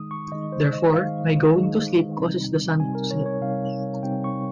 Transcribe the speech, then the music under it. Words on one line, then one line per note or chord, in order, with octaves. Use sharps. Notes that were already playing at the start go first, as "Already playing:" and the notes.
Therefore, my going to sleep causes the sun to set.
Already playing: D#3 G#3 D#4 D#6
C#6
D#3 G#3 D#4 D#5
C5
D#5
D#3 G#3 D#4 F5
D#3 G#3 D#4
C3 G3 C4 D#4
C3 G3 C4 D#4 G#5
A#4
C#5
C#5
C3 G3 C4 D#4 F5
C3 G3 C4 D#4 G5
C#6